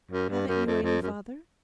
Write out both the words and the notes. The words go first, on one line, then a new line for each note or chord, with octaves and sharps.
"Haven't you any father?"
F#2
G2
F#2
F2
F2
F#2